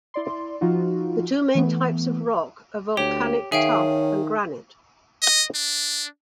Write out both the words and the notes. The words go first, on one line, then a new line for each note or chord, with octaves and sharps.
The two main types of rock are volcanic tuff and granite.
E4 D5 C6
F3 D#4 F4 F#4
E3 A3 B3
D2 G4 C#5
D#3 F#3 A3 C#4 G#4 E5 F5 G5
D#5
D4